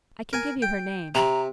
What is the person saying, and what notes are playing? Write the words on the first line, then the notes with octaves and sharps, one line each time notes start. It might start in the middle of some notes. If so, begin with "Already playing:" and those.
I can give you her name.'
A#4 G#5
G5
C3 A#5